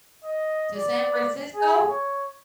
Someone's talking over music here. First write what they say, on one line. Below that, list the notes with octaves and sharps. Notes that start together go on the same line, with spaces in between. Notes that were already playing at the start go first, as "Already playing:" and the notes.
To San Francisco?
D#5
D5
G#4
C#5